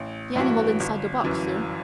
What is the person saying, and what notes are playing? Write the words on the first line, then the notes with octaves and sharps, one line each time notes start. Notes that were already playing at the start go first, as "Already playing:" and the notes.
"The animal inside the box, sir."
Already playing: A1
G2 E3 B3 F#4
G1
F#2 E3